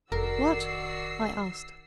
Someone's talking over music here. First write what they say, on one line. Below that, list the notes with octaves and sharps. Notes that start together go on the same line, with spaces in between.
"What?" I asked.
F1 D#3 F#4 A#4 D5 E6 C7